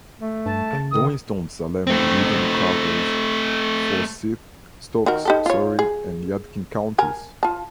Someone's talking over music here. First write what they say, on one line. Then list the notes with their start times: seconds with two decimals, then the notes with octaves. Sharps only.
The Winston-Salem division covers: Forsyth, Stokes, Surry, and Yadkin counties.
0.21 A3
0.46 G2 A5
0.73 C#3
0.91 D#3 D#6
1.87 A3 C4
5.06 D#3 F#4 A#4
5.25 D#4 G4 A4
5.46 F4 C#5
5.79 G#4
6.98 A#4 G#5 A#5
7.43 F4 A5